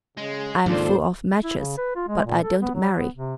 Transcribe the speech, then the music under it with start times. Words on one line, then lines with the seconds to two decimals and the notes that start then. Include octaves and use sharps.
I am full of matches, but I don't marry.
0.17 C#3 G#3
0.66 D#2 G#2 C#3 D4 F4 A4 C5
1.44 E4
1.57 C#3
1.77 B4
1.96 F4
2.08 G#3
2.26 A#2
2.43 A4
2.62 B3
2.75 F#3
2.97 B3
3.15 C3